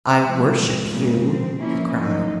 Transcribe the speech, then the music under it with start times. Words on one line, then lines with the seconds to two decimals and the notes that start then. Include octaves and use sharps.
"I worship you," he cried.
0.23 A2 C3 F3 G#3
0.61 A2 F3
0.92 A#2 C#3 G#3 C4
1.24 F3 C4
1.57 A#2 E3 F3 A#3 C#4 E4
2.00 A2 F3 F#3 D#4